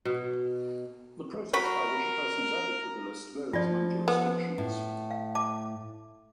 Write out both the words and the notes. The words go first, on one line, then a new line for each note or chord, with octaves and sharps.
The process by which a person is added to the list varies among jurisdictions.
B2
F#3 F#4 A#4 B5
F3 F4 D5
B3
A2
F5
A5 D6